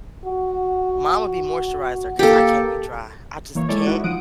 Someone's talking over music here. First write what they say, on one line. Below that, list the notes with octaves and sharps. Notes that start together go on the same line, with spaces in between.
Mine would be moisturizer 'cause I can't be dry. I just can't
F#4
A#3 G4 A4
E3 A#3 C#5
G#3 E4 A4 C#5 D5
D#4 E4 F#4
F3 F#5 D#6 D7